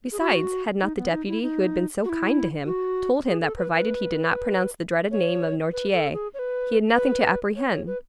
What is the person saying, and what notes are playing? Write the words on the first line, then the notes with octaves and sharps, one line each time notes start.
Besides, had not the deputy, who had been so kind to him, told him that provided he did not pronounce the dreaded name of Noirtier, he had nothing to apprehend?
G#4
F#4
D#4
B3
D#4
E4
D#4
F#4
E4
F#4
G#4
A4
B4
B4
C#5
B4
A4
G#4
C#5
B4
B4
C#5
C#5
B4